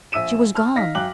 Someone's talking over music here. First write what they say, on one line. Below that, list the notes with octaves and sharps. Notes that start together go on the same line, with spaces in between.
She was gone.
A#1 E5 E6 D#7 E7
A5 F6
D#4 F5 A#6 B6
F#2 F5 G5 D6 F#6 F#7